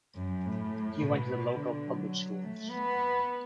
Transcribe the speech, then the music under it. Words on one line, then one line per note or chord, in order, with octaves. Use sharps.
He went to the local public schools.
F#2
A2
B2
D3
F#3
A3
B3